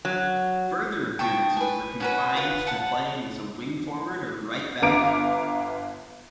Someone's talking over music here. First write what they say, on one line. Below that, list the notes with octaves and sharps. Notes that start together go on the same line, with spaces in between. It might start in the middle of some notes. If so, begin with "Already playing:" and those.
Further appearances were confined to playing as a wing-forward or right back.
F#3
G5 A5 C#6 D#6
B4 G#5
C#4 F#4 B4
F4 B4 F#5
F#5 A5
G1 B3 F5 A#5 D6 D7